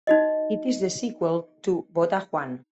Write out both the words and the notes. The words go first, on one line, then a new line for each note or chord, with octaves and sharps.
It is the sequel to "Vota Juan".
D#4 F#4 D#5